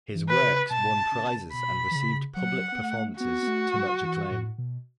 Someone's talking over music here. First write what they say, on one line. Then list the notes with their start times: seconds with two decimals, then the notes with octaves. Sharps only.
His works won prizes and received public performances to much acclaim.
0.15 E3
0.29 B4
0.42 C#3
0.70 B2 A5
1.12 C#3
1.53 B2 B5
1.91 E3
1.95 C#3
2.37 F#3 F#5
2.72 B3
2.78 A3
3.19 B3 F#4
3.43 B3
3.47 A3
3.75 F#3
4.03 E3
4.31 A2
4.58 B2